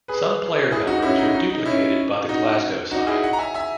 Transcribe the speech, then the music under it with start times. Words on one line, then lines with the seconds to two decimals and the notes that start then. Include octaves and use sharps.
Some player numbers were duplicated by the Glasgow side.
0.08 G#4 B4
0.71 E4 G#4
0.87 D#4 F#4
1.02 C#4 E4
1.19 D#4
1.34 D#4
1.50 D#4
1.65 C#4 E4
2.29 D#4 F#4
2.91 D#4 F#4
3.07 E4 G#4
3.23 D#5 F#5
3.33 A#5
3.38 E5 G#5
3.54 E5 G#5